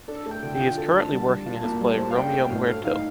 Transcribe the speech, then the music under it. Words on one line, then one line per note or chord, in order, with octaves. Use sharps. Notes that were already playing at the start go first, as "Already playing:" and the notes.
He is currently working in his play ‘Romeo Muerto’.
D4 A4
A3
G5
D3
G5
F4
A4 A5
D4
G3
G3
F4
A#3
G3
C5
F5
D4 G5
A3
A2 F5
A4
D#4 F5